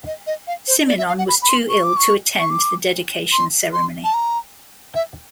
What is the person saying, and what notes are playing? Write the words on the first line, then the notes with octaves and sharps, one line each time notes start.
Simenon was too ill to attend the dedication ceremony.
D#5
D#5
F5
C5
D5
E5
F5
F#5
B5
B5
C6
C#6
D6
C#6
C#6
D6
C6
C6
A5
A#5
E5